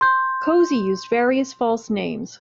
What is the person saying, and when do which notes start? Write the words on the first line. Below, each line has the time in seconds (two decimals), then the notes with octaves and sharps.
Cosey used various false names.
0.01 C6 G6